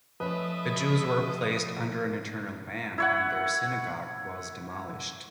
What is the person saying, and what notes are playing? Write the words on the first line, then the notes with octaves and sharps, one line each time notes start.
The Jews were placed under an "eternal ban" and their synagogue was demolished.
F3 A3 C#4 B4 D#5 E5 F#6
E4 C#5 F#5